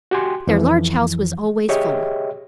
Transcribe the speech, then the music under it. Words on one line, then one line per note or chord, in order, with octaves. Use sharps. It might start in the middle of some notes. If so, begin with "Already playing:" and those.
Their large house was always full.
F#4 G4 G5 G#5 C6
F2 E3 F3
G4 G#4 C#5 D#5 E5 G5